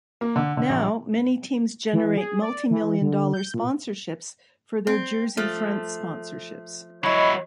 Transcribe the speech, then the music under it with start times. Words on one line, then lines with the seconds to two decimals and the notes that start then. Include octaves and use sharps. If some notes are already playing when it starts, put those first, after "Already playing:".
Now, many teams generate multimillion-dollar sponsorships for their jersey-front sponsorships.
0.21 A#3
0.36 D3
0.57 D3
0.70 A#1
1.93 E3
2.17 G#4
2.42 D5
2.71 E3
3.01 D3
3.34 G6
3.54 A#2
4.87 C4
5.37 F3 A3
7.04 F#3 E4 C#5 D#5 B5